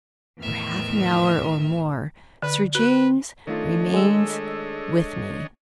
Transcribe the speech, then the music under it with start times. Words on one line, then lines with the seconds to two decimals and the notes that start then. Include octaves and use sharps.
For half an hour or more Sir James remains with me.
0.38 E2 A2 D#3 E3 E5 F6
2.43 D3 B4
2.75 F#4 B4 F#6
3.47 D#3 A3 D4 F4 A4 C#5 D#5
3.94 G#3 E6